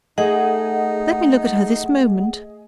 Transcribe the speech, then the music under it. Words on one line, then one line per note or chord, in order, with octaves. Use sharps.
Let me look at her this moment.
A3 D#4 G#4 D#5 F#5